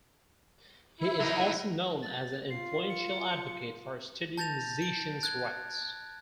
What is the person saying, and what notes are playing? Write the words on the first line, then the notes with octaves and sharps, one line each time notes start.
He is also known as an influential advocate for studio musician's rights.
E4
F#3 D#4
A6
F4 C7
C#7
A5 G6 A6 A#6 F7
D7
F#6 G#6